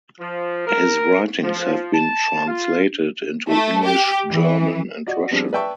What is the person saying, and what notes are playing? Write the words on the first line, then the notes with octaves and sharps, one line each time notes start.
His writings have been translated into English, German, and Russian.
F3
A#4
F3
A5
F4
A3
G4
E3
F#4 D5 D#5
F3 G3 B3 C4 D4 G#4
B4 D5 E5 G5 A5 C#6